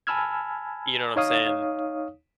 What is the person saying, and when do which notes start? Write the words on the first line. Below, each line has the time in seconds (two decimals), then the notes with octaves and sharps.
You know what I'm saying?
0.07 G#5 A5 B5 E6 F6 G#6
1.16 D#4 C#5 F5 D#6